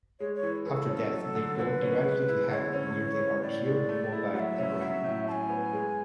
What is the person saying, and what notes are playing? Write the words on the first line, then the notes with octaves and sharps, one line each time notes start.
After death they go directly to Heaven, where they are cared for by Abraham.
G#3 C#5
C#5
E3
E3 A4 B4
C#4
F#3
D3
D3 B4 C#5
C#4
G#3
E4
D3 C#5
C#4
E3
C#4
A2 D5
G#3
A3
E4
F#3 F#5
E5
C#4
F#3
A2
A2 G#5 A5
B3
G#3